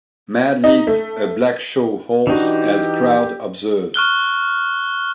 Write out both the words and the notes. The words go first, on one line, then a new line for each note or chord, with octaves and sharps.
Man leads a black show horse as crowd observes.
D#4
A3
E3 D4 D#4 F#4 G4
C#6 F6 F#6 G7